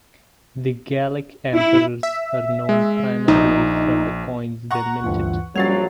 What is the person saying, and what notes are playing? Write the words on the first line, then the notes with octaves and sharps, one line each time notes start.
The Gallic Emperors are known primarily from the coins they minted.
E4
E5
G#3
A#1 D#4
F#5 A#5 C#6
D2 G2 E3 F4
A#1 F#3 G3 C#4 G#6 A6 C7 F7